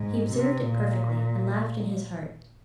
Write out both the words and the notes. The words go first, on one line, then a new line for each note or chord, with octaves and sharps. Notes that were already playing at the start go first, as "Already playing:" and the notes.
He observed it perfectly, and laughed in his heart.
Already playing: G#2
C3
A#2